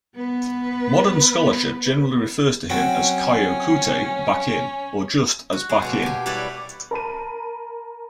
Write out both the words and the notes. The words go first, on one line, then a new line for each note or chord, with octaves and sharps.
Modern scholarship generally refers to him as Kyokutei Bakin, or just as Bakin.
B3 B4
F#3 C4 C#4
F#4
G#3
B2 F#3 A#3
G4 G#5
G3 E4 G4 B4 C#5 D5
A#4 A5 B5 D#7